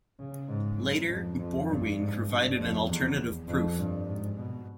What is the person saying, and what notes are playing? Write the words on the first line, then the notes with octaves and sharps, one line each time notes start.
Later, Borwein provided an alternative proof.
C#3
G#2
F#2
F2
F2
G2
G#2
G2
F2
E2
F2
G2
G#2
B2